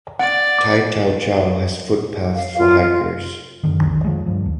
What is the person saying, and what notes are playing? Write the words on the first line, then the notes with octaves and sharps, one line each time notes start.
Tai Tau Chau has footpaths for hikers.
D5 F#5
D6
F5
F4
F4
F#2 D3 D#3
B1 F2 D3 D#3
F3 G#3
G2 F3
D#2